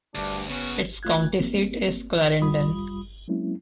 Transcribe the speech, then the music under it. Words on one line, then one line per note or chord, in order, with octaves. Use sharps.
Its county seat is Clarendon.
D2 G2 D4
C#3 B3 C#4 F#4
C2 A3 F4 F#6 G#6
A#3 C4
C2 F#2 G3 F4 B5 D#6
F#3 G#3 A#3 C4 C#4 E4